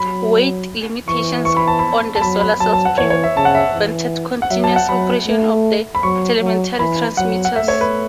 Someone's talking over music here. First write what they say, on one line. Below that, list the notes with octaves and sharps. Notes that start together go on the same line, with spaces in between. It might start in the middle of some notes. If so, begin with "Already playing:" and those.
Weight limitations on the solar cells prevented continuous operation of the telemetry transmitters.
Already playing: F#3 B5
E3 C#6
C#6
B5
A5
B5
A5
F#3 B5
B5
F#3 A5
A5
F#5
E3 C#5
C#5
E5
C#3 A5
F#5
E5
E3
F#5
F#3 E5
A5
F#5
F#3 B5
A3
B5
F#3 C#6
F#3
E3 B5
F#3 F#5
F#5
A3 E5
C#5
B4